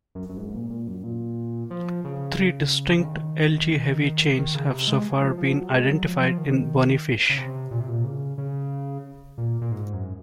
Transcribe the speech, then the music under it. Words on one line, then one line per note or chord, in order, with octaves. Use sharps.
Three distinct Ig heavy chains have so far been identified in bony fish.
F#2
F#2
G#2
A#2
A#2
F#2
A#2
F3
C#3
C#3
D#3
D#3
C#3
C3
G#3
F3
F3
F#3
G#3
F#3
F3
F3
D#3
C#3
C3
A#2
C3
A#2
C#3
C#3
A#2
A#2
G#2
F#2